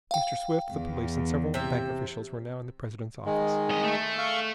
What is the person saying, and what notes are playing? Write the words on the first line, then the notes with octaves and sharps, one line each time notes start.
Mr. Swift, the police and several bank officials were now in the president's office.
F5 G5
E2
C3 E5
D#3 G#3
C2 D#5
A3
F5 C#6